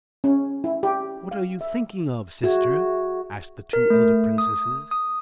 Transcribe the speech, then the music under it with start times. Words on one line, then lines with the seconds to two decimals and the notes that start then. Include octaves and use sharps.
"What are you thinking of, sister?" asked the two elder princesses.
0.24 C#4
0.64 E4
0.83 G4
1.31 F5
1.61 E5
2.44 F#4 G#4 E5
3.73 A#4
3.90 A3
4.38 D#6
4.91 D#6